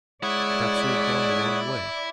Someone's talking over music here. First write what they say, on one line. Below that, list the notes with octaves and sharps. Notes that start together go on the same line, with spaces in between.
"Perhaps we have gone the wrong way."
G#3 E4 C#5 D5 F#5 D#6